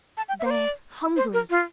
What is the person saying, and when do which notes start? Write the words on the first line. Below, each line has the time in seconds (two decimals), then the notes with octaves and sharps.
"They're HUNGRY!"
0.17 A5
0.29 G5
0.40 E5
0.45 C5
0.50 D5
1.17 C5
1.33 A#4
1.50 F4